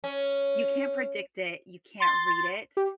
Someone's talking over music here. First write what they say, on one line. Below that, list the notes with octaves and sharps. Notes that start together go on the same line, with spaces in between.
you can't predict it, you can't read it,
C#4
C6 A6
G4